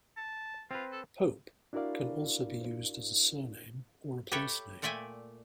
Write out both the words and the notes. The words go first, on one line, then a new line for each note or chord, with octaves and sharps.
"Pope" can also be used as a surname or a place name.
A5
C4 F4 B4
A4
D4 E4 F#4 A#4 D5 F5
G4 A4 B4 C#5 E5 G5
A#2 A3 D5 E5 G5 G#5